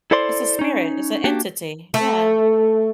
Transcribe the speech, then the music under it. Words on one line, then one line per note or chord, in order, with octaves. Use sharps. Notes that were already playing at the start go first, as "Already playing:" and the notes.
It's a spirit. It's a entity. Yeah.
E4 A4 C5 D5 C6
C#4 D#4
A#3 D4 F#4 G4
A3